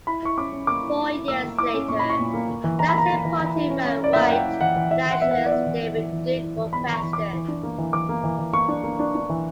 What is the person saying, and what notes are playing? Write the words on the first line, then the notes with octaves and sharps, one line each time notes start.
Four years later, that same party ran white nationalist David Duke for president.
E4 B5
E4 C#6
C#4 D6
C#4
A#3 D6
E4
E4
E4
A#3 E6
A#3
E4 D6
C#4
A#2 C#6
B5
E4
C#6
A#2
A#3
A#3
E3
E3 A#5
B5
A#3 A#5
A#3
E3
E3
E4
C#4
C#4
C#4 D5
A#3 E5
F#5
A#3 G5
E4
E3 F#5
E3
E4 E5
E3 F#5
B3 E5
F#5
E4
D5
B3 E5
E3
E4
E3
E3
E4
E4
E3
B3 B5
E3
C#6
E3
E3 D6
E3
D4
A#3
E3
E3 D6
A#3
E3
E3
A#3 C#6
D4
A#3
D4
D4
E3